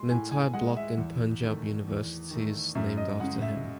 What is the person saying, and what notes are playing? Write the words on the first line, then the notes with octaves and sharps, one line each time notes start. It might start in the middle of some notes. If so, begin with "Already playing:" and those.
An entire block in Panjab University is named after him.
Already playing: G#3 C6
A2 G#5
G#5
G#3 F#5
E5
E2
D#3 A3
E2
D#3 A3
F#2 E5
D#5
C#3 G#3 F#5
E5